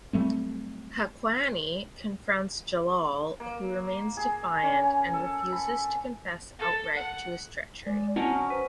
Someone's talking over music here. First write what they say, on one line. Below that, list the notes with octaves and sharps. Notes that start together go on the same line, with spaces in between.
Haqqani confronts Jalal who remains defiant and refuses to confess outright to his treachery.
F#3 G3 A3 C4
A#3
G#4
C#4
A4
B5
A4
F#5
G#3 D5
F#3 C4 C#4 A#4 D#5 F#5 A5
D4
B4 C5